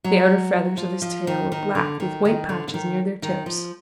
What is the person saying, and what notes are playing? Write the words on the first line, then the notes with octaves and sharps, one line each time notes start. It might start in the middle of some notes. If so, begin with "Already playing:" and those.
The outer feathers of his tail were black with white patches near their tips.
F#3
F3
F3
D#3
D#3
D3
D#3
D#3
D3
D3
D#3
D#3
F3